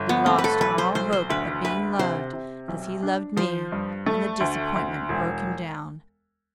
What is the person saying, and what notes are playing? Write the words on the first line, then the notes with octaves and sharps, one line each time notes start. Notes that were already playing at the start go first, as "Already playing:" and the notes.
But he lost all hope of being loved as he loved me, and the disappointment broke him down.
Already playing: G1
B3
A3 C4
B4
A4
B1 B4
C5
B1 C5
C5
D2 B4
D2 B4
C3 C5
C3
B1
D4
F3 C5
G2
A3
D2
D2
E1